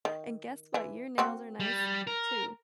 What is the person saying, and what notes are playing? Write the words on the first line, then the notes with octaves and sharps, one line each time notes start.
And guess what? Your nails are nice, too.
D#3
E3
A#3 C4 F#4
G3
A#4